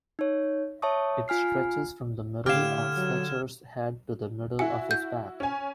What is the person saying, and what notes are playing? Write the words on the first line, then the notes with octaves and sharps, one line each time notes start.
It stretches from the middle of Fletcher's head to the middle of his back.
D#4 C#5
C#5 E5 A5 C#6 D#6
F4 G#5 F6 C7
A2 D3 G4 F5 F6 G#6 E7
F#3
E4 F#4 G#5
G6
C#4 G#5